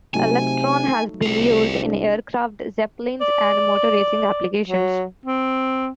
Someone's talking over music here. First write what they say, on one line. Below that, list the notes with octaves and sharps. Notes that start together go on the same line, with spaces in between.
Elektron has been used in aircraft, Zeppelins, and motor racing applications.
C3 F#3 A3 D#4 G#5
C2 F4 G#4
D4
D5
F#3
C4